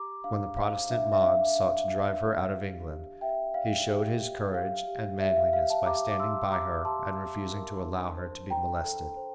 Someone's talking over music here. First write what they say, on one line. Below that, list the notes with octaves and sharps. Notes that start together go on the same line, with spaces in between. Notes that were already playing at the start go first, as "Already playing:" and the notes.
When the Protestant mobs sought to drive her out of England he showed his courage and manliness by standing by her and refusing to allow her to be molested.
Already playing: G4 A#5 D6
D4 F5
C5 F5
D4 E5
E5
D4 F5
D4 F5
D4
D4
G4
G4
G4 E5 G5
D5 F5
G4
G4
G4 F5
G4
G4 E5
E5
F5
G4 F5
F5 A5
G4 A#5 D6
D6
G4 C6 E6
G4 A#5 D6
G4 A5 C6
G4
A#4
D4
C5
C5 G5 A#5
A4
C5